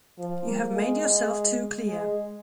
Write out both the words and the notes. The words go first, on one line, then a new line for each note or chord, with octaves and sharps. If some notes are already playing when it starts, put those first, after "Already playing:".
You have made yourself too clear.
F3
A#3
G#3
G#3